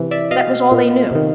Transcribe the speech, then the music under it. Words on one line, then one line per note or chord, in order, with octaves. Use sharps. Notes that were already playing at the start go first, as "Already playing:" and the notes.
That was all they knew.
Already playing: C3 E3
D5 E5
B2 D#5 F5
A#2
C3 D#3